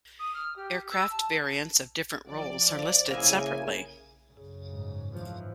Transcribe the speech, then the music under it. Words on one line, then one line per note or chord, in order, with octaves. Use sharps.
Aircraft variants of different roles are listed separately.
D#6
F6
G4
E6
A5
F3 D5
C#3 A#3 E4 G#4 G#5
F#2 C#3
G#2
G#2 E3 F3